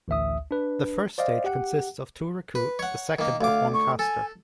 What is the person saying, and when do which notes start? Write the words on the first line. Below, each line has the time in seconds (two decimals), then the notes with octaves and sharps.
The first stage consists of two Recruit, the second of one Castor.
0.08 A1 D2 E5 D#6
0.51 D4 B4
1.18 C5 D5 D#5 F5
1.44 G4 F#5
2.55 B4
2.79 C#5 F#5
3.19 D#3 A#3
3.41 D2 F5 D6
3.74 C#6
3.99 A4 G#5